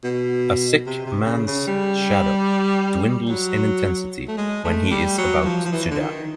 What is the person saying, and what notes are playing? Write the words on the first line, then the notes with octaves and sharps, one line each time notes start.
A sick man's shadow dwindles in intensity when he is about to die.
B2
C3
C3
C#3
C#3
G3
F#3
A3
G#3
A3
G3
F#3
E3
F3
F3
E3
D3
D#3